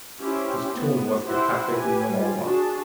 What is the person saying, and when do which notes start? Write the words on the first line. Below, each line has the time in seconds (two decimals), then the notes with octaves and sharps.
His tone was a perfectly normal one.
0.21 C#4 E4 G4 C5
0.74 B3
1.25 E4 G4 C5 F#5
1.71 G4 B4 G#5
2.10 G3 F4
2.43 D4 F#4 G#4 A5